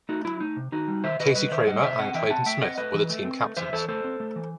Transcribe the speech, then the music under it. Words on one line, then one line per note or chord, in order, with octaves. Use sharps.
Casey Cramer and Clayton Smith were the team captains.
A3 D#4 F#4
F#3 E4
A3 D#4
C3
D#3 D#4 F#4
G3
D#3 C5 E5
D#3 B4 D#5
G3 B4 D#5
D#3 C5 E5
G3 D#5 F#5
C3 C5 E5
C4 D#5 F#5
E3 E5 G5
C4 F#5 A5
A3 E5 G5
C4 D#5 F#5
A3 B4 D#5
E3
A3
C4
A3
E3 C5 E5
E3 A4 C5
A3 A4 C5
C4
A3
E3